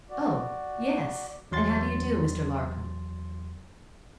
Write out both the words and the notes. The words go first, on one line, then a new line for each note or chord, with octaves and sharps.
'Oh, yes; and how do you do, Mr. Larcom?
F#4 D5
E2 F#3 C6 A6